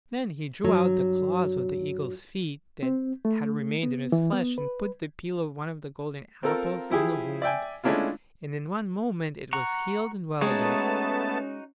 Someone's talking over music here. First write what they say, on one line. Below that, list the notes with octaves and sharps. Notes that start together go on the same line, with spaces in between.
Then he drew out the claws of the eagle's feet that had remained in his flesh, and put the peel of one of the golden apples on the wound, and in one moment it was healed and well again.
G2 F#3
C4
A3
B3
E3
B3
B4
C4 F4 A4 A#4
F3 E4 G4 G#4
D5 E5 G5 G#5
G#3 A3 C#4 D4 E4 F4
F#5 A#5 C#6
G#3 A3 B3 C#4 D#4 F#4 C#5 A5